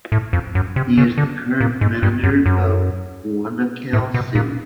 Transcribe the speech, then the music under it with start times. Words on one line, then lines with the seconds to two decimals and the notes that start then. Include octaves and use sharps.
He is the current manager of Guayaquil City.
0.12 A2
0.33 F2
0.55 F#2
0.76 C3
0.97 C#3
1.18 D3
1.60 A#2
1.81 G#2
2.03 G2
2.24 F#2
2.46 F#2
3.93 A2
4.14 B2
4.35 A#2